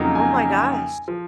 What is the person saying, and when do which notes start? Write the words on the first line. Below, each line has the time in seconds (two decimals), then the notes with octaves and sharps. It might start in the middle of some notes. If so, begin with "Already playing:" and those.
Oh my gosh.
Already playing: F2 C#3 F#3 A#3 D#4
0.15 G#5
1.08 F3